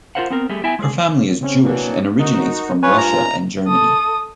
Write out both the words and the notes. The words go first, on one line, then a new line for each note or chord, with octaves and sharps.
Her family is Jewish and originates from Russia and Germany.
F4 F#4 A#4 C5 F5 F#5
B3 C4 A#4
G3 A3 G4 G#4
B3 E4 E5 G5 G#5
G#3 G#4
C#3 C4 C#4
B2 E3 F#3 A#3 D4
D#4 F#4 A#4 D#5
G2 F4 B4 C#5 G#5
A#5
A4 D#6